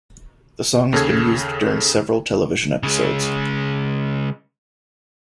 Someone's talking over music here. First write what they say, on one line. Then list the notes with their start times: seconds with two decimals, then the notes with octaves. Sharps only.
The song has been used during several television episodes.
0.93 D#2 C#3 A4 G#6
2.83 C#3 G#3